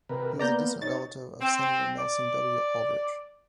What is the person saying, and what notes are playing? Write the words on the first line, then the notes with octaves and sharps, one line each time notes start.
He was a distant relative of Senator Nelson W. Aldrich.
C3 A#4 B4
A#3 B3 D5 A#5 G6
D#4 C#5 A6
C4
D5